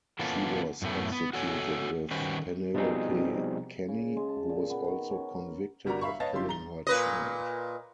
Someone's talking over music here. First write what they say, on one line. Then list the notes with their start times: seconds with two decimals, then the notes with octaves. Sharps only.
She was executed with Penelope Kenny, who was also convicted of killing her child.
0.19 E3 A#3 B3 C#4 F4 A4
0.82 F#2 A2 A3 B3
1.12 B3
1.33 F#4 A4 C#5 G#5
2.11 D#3 G3 C#4 F#4 B4 C5
2.74 B2 F3 G3 C4 D#4 G#4
3.89 C#3
4.17 G#3
4.29 A5
4.49 A#2
4.70 B3
4.88 D#3
5.11 C#4
5.30 A#4
5.86 G1 G3 F#4 A#4 D5 A#5
6.01 E5 F5 B5 C#6
6.20 B4 C#5 D#5 F5 A5 A6
6.33 G1 E4 F4 G4 C6
6.49 A#5 G7
6.87 A#2 B4 D#5